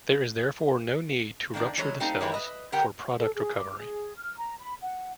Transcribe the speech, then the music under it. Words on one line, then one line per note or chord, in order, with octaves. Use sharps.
There is therefore no need to rupture the cells for product recovery.
D#3 A#3 D4 D5
E3 F#3 G#3 C#5
G3 A3 C4 D#4 F4
D#3 E3 G#3 G4 B4
B4 D#5 E5
D3 G3 G4 A#4 F#5 G5
A4
G#4
D6
G#4
F6
A#5
B5
F#5